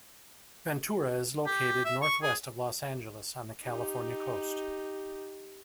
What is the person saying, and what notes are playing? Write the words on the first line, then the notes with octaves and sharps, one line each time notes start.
Ventura is located northwest of Los Angeles on the California coast.
G4
E5
C#6
G#4
D#4 G4